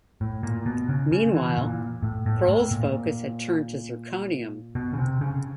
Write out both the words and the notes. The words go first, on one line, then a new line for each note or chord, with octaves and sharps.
Meanwhile, Kroll's focus had turned to zirconium.
A2
A#2
B2
C#3
C#3
E3
A#2
A2
A2
A2
A#2
B2
C#3
C3
C#3